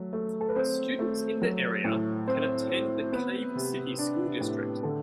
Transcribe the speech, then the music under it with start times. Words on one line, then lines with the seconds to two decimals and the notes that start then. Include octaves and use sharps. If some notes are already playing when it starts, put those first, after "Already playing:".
Students in the area can attend the Cave City School District.
Already playing: F#3 A3
0.13 A3
0.41 A4
0.49 B4
0.56 C4 C5
0.99 A3
1.42 F#3
1.85 A2
2.28 C4 C5
2.70 C4
3.12 B3 B4
3.56 C3
3.99 D4
4.40 A2
4.83 D3 A4